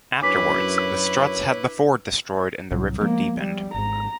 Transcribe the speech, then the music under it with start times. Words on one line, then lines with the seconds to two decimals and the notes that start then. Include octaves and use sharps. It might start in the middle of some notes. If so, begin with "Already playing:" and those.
Afterwards, the Strutts had the ford destroyed and the river deepened.
0.22 F#2 D4 E4 B4 C#5 D6 B6
2.71 C2 A2 F#3
3.01 F3 G#3 A#3 B3
3.40 G3
3.74 G#1 G#2 A#5